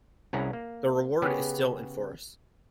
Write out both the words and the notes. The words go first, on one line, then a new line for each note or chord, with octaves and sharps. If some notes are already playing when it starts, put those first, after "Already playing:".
The reward is still in force.
C2 C#4 E4 G#4 F#5 A#5
A#3
C#3 B3 C#4 G4 G#4 B4